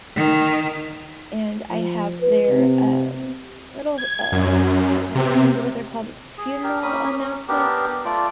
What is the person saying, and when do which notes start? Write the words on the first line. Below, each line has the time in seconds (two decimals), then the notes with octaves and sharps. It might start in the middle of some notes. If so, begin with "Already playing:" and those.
and I have their, um, little, uh, I I don't remember what they're called, funeral announcements,
0.16 D#3
1.71 F3
2.21 B4
2.50 C3
3.98 G#6
4.32 F#2
5.15 C3
6.38 G#4
6.63 G4 A#4
6.83 A#3 C#4 B5 D#6
7.12 C#4
7.48 B3 D4 G4 A#4
8.05 A3 F4 D5